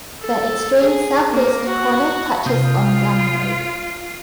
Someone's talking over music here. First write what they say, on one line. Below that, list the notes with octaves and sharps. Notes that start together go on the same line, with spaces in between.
The extreme southeast corner touches on Gun Lake.
A4
G#4
A#3
F#4
C3 F4 D#6 G6